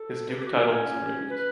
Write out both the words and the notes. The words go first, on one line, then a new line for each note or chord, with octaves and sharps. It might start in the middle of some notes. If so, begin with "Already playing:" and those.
His duke title was removed.
Already playing: A4
B4
G4
F#4
C#4
B4